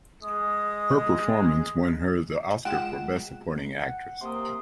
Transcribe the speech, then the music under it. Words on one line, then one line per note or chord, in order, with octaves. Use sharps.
Her performance won her the Oscar for Best Supporting Actress.
G#3 D#6
G#3 F4 F#5 G5 E7
F#5 G5
C3 A#3 C6 D#6